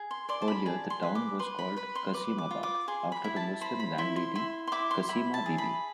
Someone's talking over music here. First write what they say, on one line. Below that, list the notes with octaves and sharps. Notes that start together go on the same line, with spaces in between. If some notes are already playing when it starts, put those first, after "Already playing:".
Earlier the town was called Qasimabad, after a Muslim landlady Qaseema Bibi.
Already playing: G#4
C6
D5 C6
A5
B5
G#4 A5
C6
B4
D6
B4 C6
B5
B4 B5
C6
B4 D6
D6
F4
D6
G#4 C6
B5
E4
A5
C5 B5
B5
E4 C6
C6
E4 C6
C6
E4 D6
C6
E4 B5
A5
G#4
B5